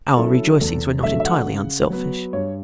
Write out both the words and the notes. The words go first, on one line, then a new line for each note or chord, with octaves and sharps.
Our rejoicings were not entirely unselfish.
F#3 C#4 E4 A4
E2 A4
D3 F#3 A3 E5
E5
F#5
C#3
F#3 B3
G2 C#5